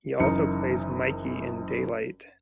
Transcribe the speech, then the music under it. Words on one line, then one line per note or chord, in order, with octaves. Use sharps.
He also plays Mikey in "Daylight".
F#1 F#2 E3 D#4 A#4 C#7